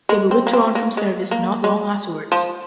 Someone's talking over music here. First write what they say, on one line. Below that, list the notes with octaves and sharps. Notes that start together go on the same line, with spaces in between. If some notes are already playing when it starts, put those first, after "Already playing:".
They were withdrawn from service not long afterwards.
G#3
C4
A#3
C4
A#3
G#3
A#3
G#3
F3